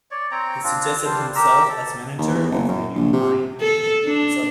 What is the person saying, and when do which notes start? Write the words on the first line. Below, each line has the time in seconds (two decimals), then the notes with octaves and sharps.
He suggested himself as manager of the new mine.
0.11 C#5 D5
0.31 C4 C#5 G5 A#5
0.63 C4 D4 F4
1.04 G3 D4 C5
1.35 G4 A#4 A#5 E6
1.69 A4
2.18 D#2
2.34 E2
2.51 F#1
2.68 F#2
2.95 A#1
3.13 C3
3.61 A4
4.05 D4